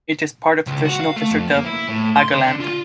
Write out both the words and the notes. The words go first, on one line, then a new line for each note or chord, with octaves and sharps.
It is part of the traditional district of Haugaland.
C#2
F#4
F5
A3
F2
A#3
E4
A2
C6
D3
F4